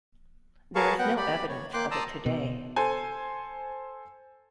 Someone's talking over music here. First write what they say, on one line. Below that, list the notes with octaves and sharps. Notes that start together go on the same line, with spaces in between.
There is no evidence of it today.
G#4 A#4 B4 F5 A5 C#6
B3 F#5 G5
G4 D5 B5
C#5
A#3 G5 C6 D6 F#6
D5 A5 A#5 C6 D#6 E6
B2
A4 C5 G#5